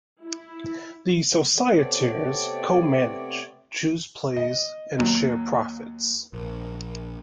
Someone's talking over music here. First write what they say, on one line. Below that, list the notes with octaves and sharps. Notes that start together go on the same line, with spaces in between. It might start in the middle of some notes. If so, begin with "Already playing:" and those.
The societaires co-manage, choose plays, and share profits.
E4
C3 A3 B3 C4 C#5 D5
D#5
D#2 F#3
A#1 A#4